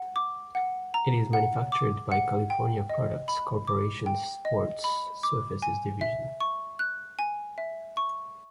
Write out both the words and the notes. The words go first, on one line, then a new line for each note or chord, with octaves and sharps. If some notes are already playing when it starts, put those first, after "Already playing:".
It is manufactured by California Products Corporation's Sports Surfaces division.
Already playing: F#5
D6
F#5
A#5
F#5
D6
F#5
G5
D#5
B5
D6
G5
D#5
B5
D6
G#5
E5
C#6
F#6
G#5
E5
C#6